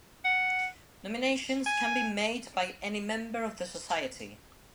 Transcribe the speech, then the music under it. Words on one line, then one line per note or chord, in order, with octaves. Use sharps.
Nominations can be made by any member of the society.
F#5
G#5